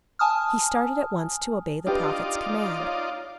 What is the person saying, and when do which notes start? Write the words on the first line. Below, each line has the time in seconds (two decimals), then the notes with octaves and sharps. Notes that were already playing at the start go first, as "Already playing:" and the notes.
He started at once to obey the prophet's command.
0.19 G#5 A5 D#6 F6
1.87 D4 D#4 F4 G4 B4 D5
2.80 C#5 F5